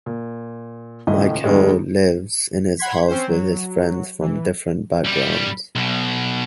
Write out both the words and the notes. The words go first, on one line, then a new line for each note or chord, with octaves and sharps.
Michele lives in his house with his friends from different backgrounds.
A#2
D#1 C#2 A2 E4 D#5
E2 D3 G3 G#3
F#5 B5 C6 G#6 B6
C4 C#4 C5
F#3
E3
F#2 G3
B1 B2